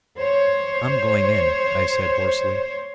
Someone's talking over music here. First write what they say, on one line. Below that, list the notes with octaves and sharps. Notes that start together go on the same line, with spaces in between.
"I'm going in," I said hoarsely.
C5 C#5